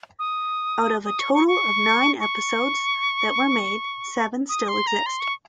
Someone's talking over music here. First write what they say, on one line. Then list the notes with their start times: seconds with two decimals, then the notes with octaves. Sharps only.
Out of a total of nine episodes that were made, seven still exist.
0.19 D#6
1.05 D#6
1.20 C#6
1.34 C#6
1.48 C#6
2.20 C#6
4.49 D#6
4.68 C6
4.87 A#5
5.06 C6
5.20 C#6